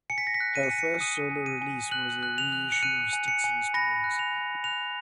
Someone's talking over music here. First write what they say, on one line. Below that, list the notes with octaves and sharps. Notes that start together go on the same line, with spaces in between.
His first solo release was a reissue of "Sticks and Stones".
G#5 C#7
B6
A#6
B6
F#6
D#7
C#7
G#5 B6
C#7
D#6 D#7
G#5
D#7
G#5
F#6 F#7
F#6
F7
F#6
C#7
F#6 D#7
G#5
C#7
G#5
B5 A#6
F#6
F7
G#5
F#6 F7